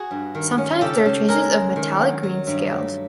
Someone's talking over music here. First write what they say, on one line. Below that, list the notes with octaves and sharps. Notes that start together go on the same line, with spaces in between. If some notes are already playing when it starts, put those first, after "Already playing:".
Sometimes there are traces of metallic green scales.
Already playing: F#4 G#4
G2
D#3
C#4
C#3 G4 A4
C#3
G#3 G#4 A#4
G#3
D#3
F#3
F#3
G2
A3